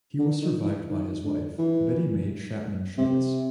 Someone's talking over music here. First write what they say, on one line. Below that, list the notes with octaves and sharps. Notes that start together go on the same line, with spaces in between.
He was survived by his wife, Betty Mae Chapman Schmitz.
D3
D#3
E3
D#3
D3
E3
C3